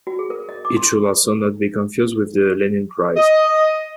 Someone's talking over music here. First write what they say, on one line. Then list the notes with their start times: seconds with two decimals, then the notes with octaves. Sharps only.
It should also not be confused with the Lenin Prize.
0.07 F#4
0.19 G#4
0.30 A#4
0.49 D#5
0.65 D6
0.76 C6
3.16 D#5